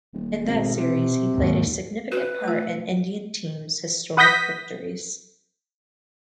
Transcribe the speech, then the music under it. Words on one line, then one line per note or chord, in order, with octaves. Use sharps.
In that series, he played a significant part in Indian team's historic victories.
D#1
G#1 B2
C3
D#2 G#2
F#4 B4
A3 F4
B4 F#5 D#6 G6 A#6 B6